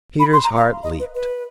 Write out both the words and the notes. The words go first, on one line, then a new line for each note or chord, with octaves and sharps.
Peter's heart leaped.
B5
C6
A#5
F5
D#5
B4
B4